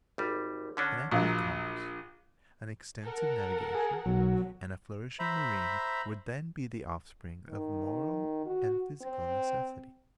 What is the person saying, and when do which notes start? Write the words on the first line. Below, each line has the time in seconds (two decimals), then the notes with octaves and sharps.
An active commerce, an extensive navigation, and a flourishing marine would then be the offspring of moral and physical necessity.
0.18 G#1 G3
0.77 D3 C#4 D4
1.11 A#1 F#3
3.03 A4 A#4 F#5
3.74 G#4
4.06 B1 F#3
5.19 C5 E5 A#5 B5
7.49 D#3
8.46 F#4
9.02 C4